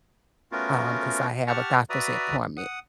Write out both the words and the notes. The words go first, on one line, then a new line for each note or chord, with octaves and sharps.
um, 'cause I have a doctor's appointment."
A3 B3 C#4 F4 F#4 A#4
G4 F#5 A5 C#6 F6
F#4 B4 D5 E5 A#5 D#6
F#5 D#6